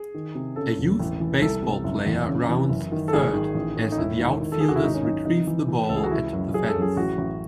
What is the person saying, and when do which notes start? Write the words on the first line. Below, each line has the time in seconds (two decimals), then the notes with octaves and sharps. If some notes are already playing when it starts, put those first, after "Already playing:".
A youth baseball player rounds third as the outfielders retrieve the ball at the fence.
Already playing: G#4
0.14 D#3
0.35 C3
0.56 C#3 A4
0.78 E1
1.00 A1
1.21 E3
1.42 C2 A4
1.63 C3
1.84 F#1
2.06 E2
2.27 C#3
2.49 E3
2.69 F#1
2.92 D#3
3.08 A4
3.13 G#1 G#4
3.33 D#3
3.55 A1
3.77 A2
3.92 D#4
3.98 E1 E4
4.20 D#3
4.41 D#3
4.52 A4
4.60 D#2 G#4
4.68 F#4
4.76 E4
4.83 G#1 D#4
4.94 C#4
5.05 F#2 D#4
5.25 C3 D#4
5.47 E3
5.68 E3
5.89 C#2 A4
5.96 G#4
6.04 F#4
6.11 E3 E4
6.33 F#2
6.54 F#2 G#4
6.68 A4
6.75 F#2
6.82 G#4
6.96 A1 F#4
7.18 A1